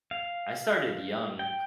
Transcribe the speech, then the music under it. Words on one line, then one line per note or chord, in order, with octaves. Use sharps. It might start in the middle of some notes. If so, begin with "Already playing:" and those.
I started young.
F5
G5